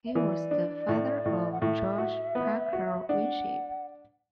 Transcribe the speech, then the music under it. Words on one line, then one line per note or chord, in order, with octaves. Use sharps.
He was the father of George Parker Winship.
E5
E3 D5
D4
A2
A2
F#5
A2 E5
F#4
B3
F#4
D4 F#5